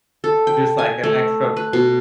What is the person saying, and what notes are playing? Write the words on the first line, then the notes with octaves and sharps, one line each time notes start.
just, like, an extra
A4
G5
G#5
A3
B4
B2